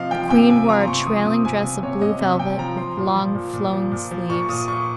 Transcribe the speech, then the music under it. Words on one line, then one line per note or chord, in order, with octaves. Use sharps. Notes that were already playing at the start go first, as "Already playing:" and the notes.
The queen wore a trailing dress of blue velvet with long flowing sleeves.
Already playing: C3 F3 D#5 F5
F3 G5
C3 G5
C3 G#5
F3 A#5
C6
C3 C#6
F3 D#6
C3 D#6
C3 G#5
C3 G#5
C3 C#5
C3 D#5
C3
C3 G5
F3 A#5
F3 C6
A#2
F3
A#2
A#2
F3
A#2
F3
A#2 C#6
A#2 D#6
A#2 C#6